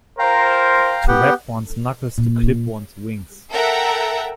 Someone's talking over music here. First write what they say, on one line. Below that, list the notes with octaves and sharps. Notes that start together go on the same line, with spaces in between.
To rap one's knuckles to clip one's wings.
F4 A#4 C5 F5 G5 A#5
B3 G4 F#5
A#2
A4 A#4 E5 F#5 G5 A#5